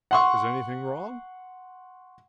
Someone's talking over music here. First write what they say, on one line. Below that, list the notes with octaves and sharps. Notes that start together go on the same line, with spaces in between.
"Is anything wrong?"
F#5 C6 C#6